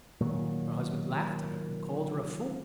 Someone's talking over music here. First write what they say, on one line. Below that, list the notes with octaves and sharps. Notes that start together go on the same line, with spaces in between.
Her husband laughed at her, and called her a fool.
A#2 D#3 F#3